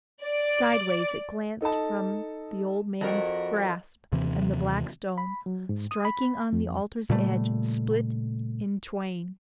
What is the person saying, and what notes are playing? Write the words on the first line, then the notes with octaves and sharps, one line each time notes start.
Sideways it glanced from the old man's grasp, and the black stone, striking on the altar's edge, split in twain.
D5
D#4 A4 D#5 A5
F2 F#4 A#4
D#2 C3 E3 C4
B5
F#3
G#2
D#6
B5
F2
A#2 C#3 G3 A3